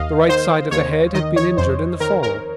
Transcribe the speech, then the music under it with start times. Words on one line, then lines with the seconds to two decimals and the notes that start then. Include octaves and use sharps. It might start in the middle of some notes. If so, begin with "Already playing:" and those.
The right side of the head had been injured in the fall.
Already playing: D#2 D#5 F5
0.29 D#3 C5
0.71 D#2 C#5
1.14 D#3 D#5
1.36 C#5
1.57 F2 C5
2.00 D#3 A#4
2.23 A#4